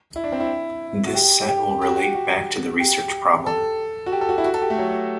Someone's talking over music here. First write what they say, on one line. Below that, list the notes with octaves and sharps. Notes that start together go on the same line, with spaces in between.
This set will relate back to the research problem.
E4
D4
C4
E4
F#4
G4
G4
G4
F#4
G4
F#4
G4
A4
F#4
G4
A4
F#4
E4
F#4
A4
G4
A3
F#3